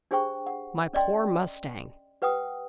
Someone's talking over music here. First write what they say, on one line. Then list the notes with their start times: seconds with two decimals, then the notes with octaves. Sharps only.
"My poor mustang!"
0.11 D4 G4 G#4 C5 G5 C#6
0.47 F#5
0.93 C#4 D5 D#5 G5 C6
2.22 G4 B4 F#5 G5 D#6